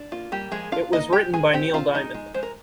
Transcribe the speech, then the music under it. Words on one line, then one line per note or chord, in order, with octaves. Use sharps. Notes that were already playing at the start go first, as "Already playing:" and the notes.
It was written by Neil Diamond.
Already playing: D4
A#3 F4
G3 A#3 G4
F3 G#3 G#4
D4 F4 F5
A#3 D#4 D#5
G#3 G4 G5
G#3 G#4 G#5
C4 G4 G5
C4 F4 F5
G#3 D#4 D#5
G#3
G#3 C5
A#4